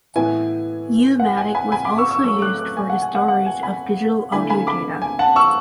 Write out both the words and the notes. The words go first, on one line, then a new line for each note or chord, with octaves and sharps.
U-matic was also used for the storage of digital audio data.
A2 E3 B3 E4 G#5
F#5
G#5
G#5 B5
G#5 B5
B5 D6
C#6 E6
C#6 E6
F#3 A3 C#4 C#6 E6
D6 F#6
D6 F#6
G#5
F#5
G#5
F#5
F#5
G#5
G#5 B5
D3 A3 E4 G#5 B5
G#5 B5
B5 D6
G#5
F#5 A5
C#6 E6